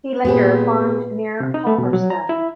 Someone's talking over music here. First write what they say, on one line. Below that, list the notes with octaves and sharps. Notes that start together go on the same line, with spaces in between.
He later farmed near Palmerston.
A#2 B3 G4 G#4 B4
C3
D#4
A3
B2
F#3
A#5
E4